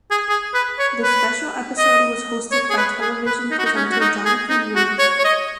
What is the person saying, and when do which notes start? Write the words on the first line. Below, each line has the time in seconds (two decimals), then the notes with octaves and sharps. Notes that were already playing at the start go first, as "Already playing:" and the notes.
The special episode was hosted by television presenter Jonathan Ruiz.
0.11 G#4
0.29 G#4
0.54 B4
0.79 C#5
1.03 B4
1.78 D#5
2.52 C#5
2.70 G#4
2.77 B4
3.01 G#4
3.26 B4
3.51 D#4
3.59 F#4
3.65 D#4
3.76 C#4
3.91 F#4
4.00 D#4
4.26 G#4
4.50 D#4
4.76 F#4
4.99 C#5
5.19 C#5
5.25 D#5